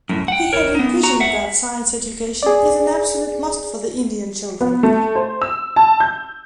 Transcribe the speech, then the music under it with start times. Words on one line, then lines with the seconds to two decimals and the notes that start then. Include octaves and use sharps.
He had envisioned that science education is an absolute must for the Indian children.
0.09 F#2 A2
0.28 F#5 G5
0.53 A#4 C#5
0.75 B3 D#4
1.03 F#4 A#5
1.20 E5 F#5
2.43 G#4 D5
4.61 B3
4.83 A3
5.15 C5
5.42 E6
5.76 A5
6.00 G6